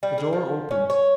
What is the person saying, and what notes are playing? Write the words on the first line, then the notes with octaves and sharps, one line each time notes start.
The door opened.
G3
G#4
F3
C#4
C#5